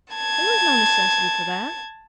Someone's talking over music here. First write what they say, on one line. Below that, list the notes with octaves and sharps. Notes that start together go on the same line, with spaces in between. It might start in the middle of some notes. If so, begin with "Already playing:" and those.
'There was no necessity for that.
A5 G#6